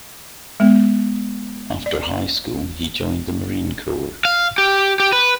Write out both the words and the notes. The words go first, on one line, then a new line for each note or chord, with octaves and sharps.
After high school, he joined the Marine Corps.
G#3 B3
D5
F5
G4
G4
B4